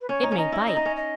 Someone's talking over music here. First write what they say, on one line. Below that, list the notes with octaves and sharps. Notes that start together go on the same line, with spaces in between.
"It may bite!"
B4
C#4 C#5
D#4
C#4
D#4 D#5
E4
D#4 D#5
D#4
C#4
D#5